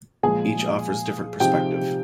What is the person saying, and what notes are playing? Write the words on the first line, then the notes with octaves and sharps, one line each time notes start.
Each offers different perspective.
A#2 F3 G#3 G#4 G#5
C3 F3 C4 D#4 G4 G5